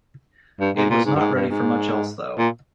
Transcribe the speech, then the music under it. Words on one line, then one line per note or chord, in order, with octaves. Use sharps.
It was not ready for much else, though.
G2
G#2
A#2
G#2
G2
G#2
G2
G#2
A#2